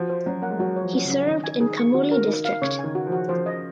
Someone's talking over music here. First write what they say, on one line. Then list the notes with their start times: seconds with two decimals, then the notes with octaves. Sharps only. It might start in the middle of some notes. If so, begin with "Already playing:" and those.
He served in Kamuli District.
Already playing: F3 F#4
0.09 C5
0.26 F#3 C#4
0.42 A#3 F#5
0.51 G#3
0.59 F#3 F#4
0.76 C#5
0.82 F3
0.94 C#4
1.05 C#3
1.11 C#4
1.27 D#3 D#5
1.44 G#5
1.60 D#3 G#4
1.78 C#6
1.94 D#3 F#4
2.11 A#4
2.28 D#4
2.45 F5
2.62 C#3 C#5
2.79 D#3 G#5
2.95 F#4
3.07 F3
3.12 F#4
3.29 F3 C5
3.46 D#5